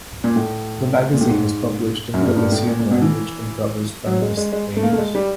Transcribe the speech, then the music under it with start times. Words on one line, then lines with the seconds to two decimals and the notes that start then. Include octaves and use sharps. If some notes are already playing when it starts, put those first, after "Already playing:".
The magazine is published in Galician language and covers feminist themes.
0.24 A#2
0.36 A2
1.14 A#2
1.21 A2
1.29 G#2
2.14 F#2
2.21 G2
2.36 G2
2.52 A2
2.67 A#2
2.79 A#2
2.91 B2
3.02 E3
4.06 F#3
4.22 G#3
4.37 G#3
4.52 G#3
4.77 A3
4.83 A#3
4.93 A3
4.98 G#3
5.15 G3